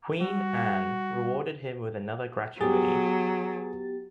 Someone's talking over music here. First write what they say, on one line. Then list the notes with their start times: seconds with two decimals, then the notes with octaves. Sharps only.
Queen Anne rewarded him with another gratuity.
0.21 G3 F#4
2.61 F#3 B3 G4 G#4 A6